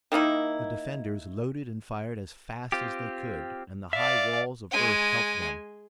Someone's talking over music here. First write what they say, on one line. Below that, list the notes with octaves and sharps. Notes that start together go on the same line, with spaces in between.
The defenders loaded and fired as fast as they could and the high walls of earth helped them.
D#3 A#3 D#4 E4
C4 F4 G4
D5 E5 F5
G#3 G#5